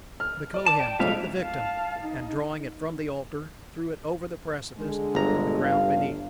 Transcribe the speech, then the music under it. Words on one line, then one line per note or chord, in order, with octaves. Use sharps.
The Kohen took the victim, and drawing it from the altar, threw it over the precipice to the ground beneath.
F6
D5
A5 D6
G5
F2 G#2 G3 E5 F5
F5 A5
D#4
D3 G#3
G1 A#5
G2 F5